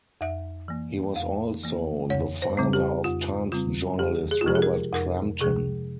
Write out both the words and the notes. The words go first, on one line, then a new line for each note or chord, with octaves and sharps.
He was also the father of Times journalist Robert Crampton.
F2 E5
E3 A#3
F2 F5
E3 A#3
F2 C#5
C5
C#3 G3 C4
G4
F2 F4
C#3 G3 C4 F4
F2 G4
G#4
F4
C3 F3 G#3 G4
G#4
A#4
F2 A#4
C3 F3 G#3 G#4